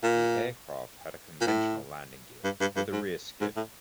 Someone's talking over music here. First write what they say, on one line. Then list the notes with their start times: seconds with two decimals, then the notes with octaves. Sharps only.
The aircraft had a conventional landing gear, with a rear skid.
0.03 A#2
1.41 A#2
1.47 A2
2.44 G2
2.61 G2
2.76 G2
2.92 G#2
3.41 G#2
3.57 A2